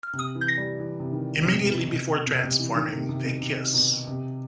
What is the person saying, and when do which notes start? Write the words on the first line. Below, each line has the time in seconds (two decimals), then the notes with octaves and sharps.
Immediately before transforming, they kiss.
0.13 C3
0.35 E3
0.58 G3
0.80 E3
1.00 C3
1.12 D#3
1.44 C3
1.52 B2
1.59 C3
1.66 B2
1.80 C3
1.88 B2
2.27 B2
2.43 C3
2.59 E3
2.75 D#3
2.93 C3
3.09 C3
3.25 B2
3.41 C3
3.74 B2
4.07 C3